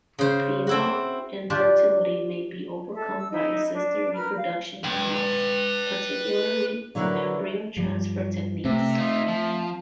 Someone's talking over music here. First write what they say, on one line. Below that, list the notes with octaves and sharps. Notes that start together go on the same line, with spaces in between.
Female infertility may be overcome by assisted reproduction technology, particularly embryo transfer techniques.
C#3 C5
C4 E4 F#4
D4 F4 G4 D5
A4 E5
E6
D#4 E4 D#5
D4
A#4 B4 B5 F6
F5
B4 G5
D3 F#3 E4 A#4 B4
G2 F3 G3
C3 A3 B3 C4 E5
D#4 F4
F3